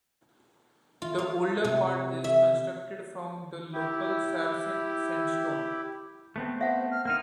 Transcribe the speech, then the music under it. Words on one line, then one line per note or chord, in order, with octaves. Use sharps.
The older part is constructed from the local sarsen sandstone.
F4
F5
C3
E5
E4 G4
A3 B3 C4
C5 E5 F#5
F6
A#3 C4 D#4 F6